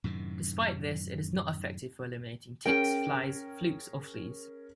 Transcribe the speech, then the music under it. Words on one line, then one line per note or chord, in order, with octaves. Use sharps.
Despite this, it is not effective for eliminating ticks, flies, flukes, or fleas.
F#2 A2 C3 D#3
C#4 G#4 A#4 G5